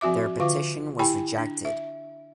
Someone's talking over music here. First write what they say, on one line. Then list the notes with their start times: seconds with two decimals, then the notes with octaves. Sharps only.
Their petition was rejected.
0.01 F3 C4 F#4 E5 D6
0.40 D3 F4 F5 D6
0.99 E4 G4 G5 G#5 B5
1.38 D4
1.65 E5